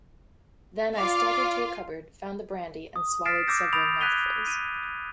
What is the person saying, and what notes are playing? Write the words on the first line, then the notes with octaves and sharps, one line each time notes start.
Then I staggered to a cupboard, found the brandy and swallowed several mouthfuls.
F4 D5 F5 D6
D#6
F6 A6 B6 C7 D7 E7
D6 E6 G6 A#6 C#7
B5 D#6 G6 A6 D7 F7
F#6 G#6 B6 D#7 F7 G7
D#7